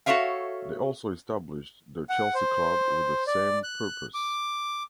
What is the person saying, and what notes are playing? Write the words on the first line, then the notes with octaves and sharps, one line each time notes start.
They also established the Chelsea Club with the same purpose.
F#4 G4 A4 C#5 E5 F5
F#5
C5
D5
F#6
D6